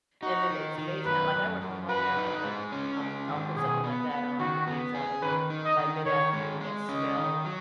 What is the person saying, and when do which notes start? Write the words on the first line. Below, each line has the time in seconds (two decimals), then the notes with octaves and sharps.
And then it's amazing I like, um, I work from home now and, like, um, I'll put something like that on- the beans on- and then by mid-afternoon, that smell
0.22 D#4 F#4
0.50 D#3
0.78 D#3
1.05 F#2 B4
1.33 F#2
1.61 F#2
1.89 F#4 B4
2.17 D#4
2.44 G#3
2.72 C#4
3.00 G#3
3.28 D#3
3.56 B2 G#4
3.84 B3
4.11 B3
4.39 D#3 F#4
4.67 B3
4.94 G#4
5.22 D#3 B4
5.50 D#4
5.65 D#5
5.78 D#3
6.05 D#3 C#5
6.33 G#3
6.61 G#3
6.89 C#4 D#5
7.17 D#3
7.45 F#3